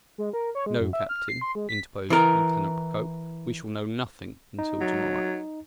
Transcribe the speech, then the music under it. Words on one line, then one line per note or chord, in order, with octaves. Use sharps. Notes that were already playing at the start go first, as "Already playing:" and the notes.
"No, captain," interposed Lieutenant Procope; "we shall know nothing until to-morrow."
G#3
A#4
C#5
G#3
F#2
E5
F6
C7
C6
G#3
B6
E3 A#4
D#4
F#3